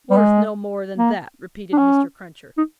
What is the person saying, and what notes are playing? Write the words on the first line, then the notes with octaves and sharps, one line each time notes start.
"Worth no more than that," repeated Mr. Cruncher.
G3
G#3
A#3
D4
C#4
D#4